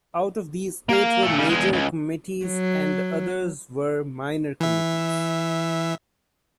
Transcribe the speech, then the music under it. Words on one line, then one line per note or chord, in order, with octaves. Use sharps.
Out of these, eight were major committees and the others were minor committees.
A#3 F5
A#2 A3
C#3 G3
E2 G#3
C#2
F#3
E3 E5